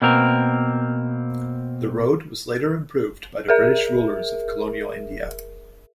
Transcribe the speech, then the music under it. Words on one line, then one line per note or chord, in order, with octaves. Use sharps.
The road was later improved by the British rulers of colonial India.
B2 A#3 C4 A#4
G#4 A#4 E5